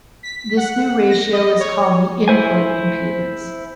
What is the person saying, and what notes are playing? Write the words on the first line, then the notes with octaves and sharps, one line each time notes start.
This new ratio is called the input impedance.
B6
F#5
A#6
D#5
C#5
E4 C5 G#5